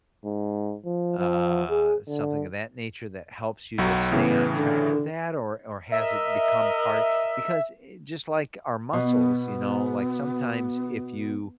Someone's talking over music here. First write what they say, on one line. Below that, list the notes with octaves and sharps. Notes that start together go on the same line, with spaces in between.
uh something of that nature that helps you to stay on track with that, or or has it become part because, eh, just like our muscles, you know, like, sometimes if you
G#2
F3
F3
G#4
D3
B1 F#3 F#4
A2 C#3 E3 B3
D3
A#4 D#5 E5
B2 B3